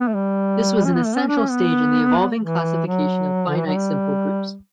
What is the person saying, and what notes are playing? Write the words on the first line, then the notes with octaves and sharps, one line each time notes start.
This was an essential stage in the evolving classification of finite simple groups.
B3
A3
G3
C#4
B3
A3
C#4
D4
C#4
B3
E3
F#3
D3
E3
F#3
G3